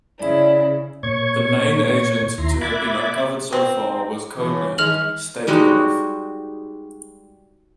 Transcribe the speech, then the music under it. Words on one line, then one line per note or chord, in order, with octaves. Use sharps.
The main agent to have been uncovered so far was codenamed "Stakeknife".
C#3 E4 D5
A#2 C#5 C#6 G#6
D#2 E4 A#5 C6
E5 B5 D6 F#6 G#6 A6
C4
A#2 C#3 E3
D#3 G#4 F6 F7 F#7
G3 G#3 D#4 F#4